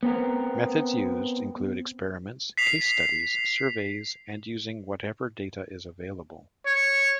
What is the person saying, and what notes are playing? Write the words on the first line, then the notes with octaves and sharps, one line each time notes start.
Methods used include experiments, case studies, surveys, and using whatever data is available.
B3 C4 A#4
B6 C7 F7
C#5